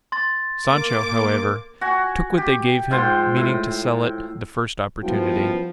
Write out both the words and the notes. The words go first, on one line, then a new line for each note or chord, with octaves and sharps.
Sancho, however, took what they gave him, meaning to sell it the first opportunity.
C6 A6
A#3 D6
F#4 G#5
G4
G#2 F4 C5 G5
A2
F#2 F3 G3 B3 E4 F#4 G5